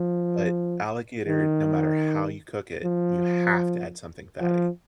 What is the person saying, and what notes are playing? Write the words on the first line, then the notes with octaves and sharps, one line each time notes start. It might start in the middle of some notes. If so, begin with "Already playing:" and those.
But alligator, no matter how you cook it, you have to add something fatty.
Already playing: F3
D#3
F3
F3